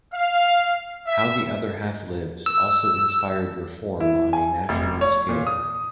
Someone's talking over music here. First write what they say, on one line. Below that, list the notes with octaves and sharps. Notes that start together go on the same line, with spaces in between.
"How the Other Half Lives" also inspired reform on a national scale.
F5
E5
E6
E4
G#5
F1
C#5
A#2
D#6